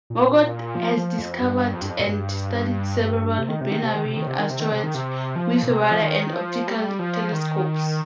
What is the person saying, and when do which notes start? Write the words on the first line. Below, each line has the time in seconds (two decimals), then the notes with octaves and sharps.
Margot has discovered and studied several binary asteroids with radar and optical telescopes.
0.10 A#2
0.75 F3
0.97 F3
1.19 F2
1.40 G2
1.73 F2
1.81 G2
1.89 F2
1.99 A#2
2.06 G2
3.38 C3
3.49 D#3
3.61 C3
3.71 D#3
3.82 C3
3.94 D#3
4.05 C3
4.16 D#3
4.27 C3
4.39 D#3
4.50 C3
4.60 D#3
4.72 C3
4.83 D#3
4.95 C3
5.36 F3
5.63 A#2
5.68 C3
5.91 F3
6.01 D#3
6.33 F3
6.67 G3
6.99 F3
7.32 D#3